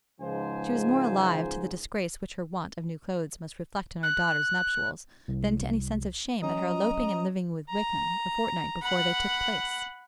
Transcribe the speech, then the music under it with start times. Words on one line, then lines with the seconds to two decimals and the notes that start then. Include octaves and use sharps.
She was more alive to the disgrace which her want of new clothes must reflect on her daughter's nuptials, than to any sense of shame at her eloping and living with Wickham a fortnight before they took place.
0.21 C#2 G#2 F3 C5 G#5
4.03 F#6
5.28 C2
6.42 F#3 C#4 D#5 A#5
7.69 A#5
8.83 F#5 B5